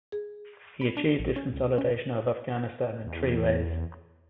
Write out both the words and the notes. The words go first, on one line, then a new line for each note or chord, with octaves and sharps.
He achieved this consolidation of Afghanistan in three ways.
G#4
B5
D4
A#1
C#4
C#2
C#4
E2